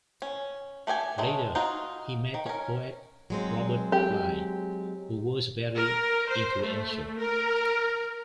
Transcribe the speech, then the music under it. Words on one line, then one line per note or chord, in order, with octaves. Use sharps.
Later he met poet Robert Bly, who was very influential.
C#4
A3 G4 D5 G#5
F#3 G#3 A3
D#4 F4 F#4 G#4
D#3
C#4 A#4
F#3 G#3 C4
G4
A#4
C5
A3
A#4